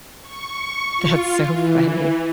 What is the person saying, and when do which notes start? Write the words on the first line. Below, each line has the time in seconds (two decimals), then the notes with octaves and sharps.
That's so funny.
0.22 C#6
0.97 F4
1.45 E3